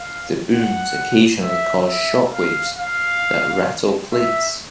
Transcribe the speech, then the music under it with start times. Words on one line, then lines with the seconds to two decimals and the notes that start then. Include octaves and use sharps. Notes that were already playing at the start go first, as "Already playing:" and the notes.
The booms occasionally cause shock waves that rattle plates.
Already playing: F5
0.54 F#5
1.43 E5
1.88 E5
2.34 F5
2.78 F5
4.13 E5